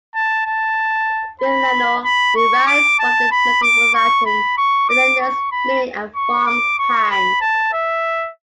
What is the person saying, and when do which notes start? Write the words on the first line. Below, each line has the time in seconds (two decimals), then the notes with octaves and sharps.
"Villano" derives from the Medieval Latin "villanus", meaning a "farmhand".
0.15 A5
0.47 A5
1.41 B5
2.05 B5
2.36 C#6
2.67 D6
2.99 A5
3.31 B5
3.62 D6
3.95 C#6
4.26 B5
4.58 C#6
4.89 D6
5.20 C#6
5.52 B5
6.15 C#6
6.47 D6
6.79 C#6
7.10 B5
7.41 A5
7.73 E5